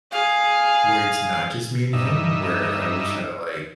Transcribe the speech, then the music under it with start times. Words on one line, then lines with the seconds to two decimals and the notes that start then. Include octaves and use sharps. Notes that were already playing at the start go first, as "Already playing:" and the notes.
where it's not just me and him, where I always try to like.
0.12 G#4 F5
1.93 G2 D#4 E5